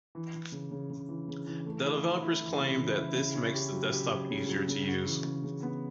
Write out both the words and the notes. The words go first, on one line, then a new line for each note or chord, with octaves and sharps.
The developers claim that this makes the desktop easier to use.
E3
E3
C#3
C#3
C#3
E3
C#3
E3
A3
E4
E4
E4
E3
C#3
E3
E4
C#3
C#4
G4
F#3
G4
F#3
C#3
F#3
C#3
F#4
E3
C#3
C#3
B3